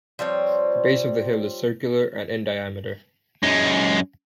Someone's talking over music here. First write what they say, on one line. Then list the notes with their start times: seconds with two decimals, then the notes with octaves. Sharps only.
The base of the hill is circular and in diameter.
0.19 F3 G3 C4 C#5
3.43 F#2 G#3